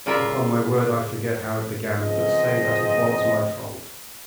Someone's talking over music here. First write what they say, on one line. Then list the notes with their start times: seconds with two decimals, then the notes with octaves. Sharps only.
Upon my word I forget how it began, but say that it was my fault.
0.06 C#3 G3 F4 A#4 E5
1.98 C#2 C#3 F3 G#3 C4 D#5